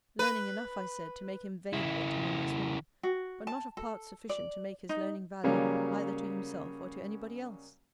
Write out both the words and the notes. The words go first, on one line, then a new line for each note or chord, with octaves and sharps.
Learning enough, I said, to make him vain of it among us women: but not of parts sufficient to make his learning valuable either to himself or to any body else.
B4
C#3 E4
F#4
A5
A4
D5
D#4
C#3 F#3 G3 A#3 C#4